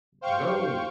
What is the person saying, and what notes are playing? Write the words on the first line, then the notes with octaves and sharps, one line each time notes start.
like, "Oh!"
C5 F5 G5 C#6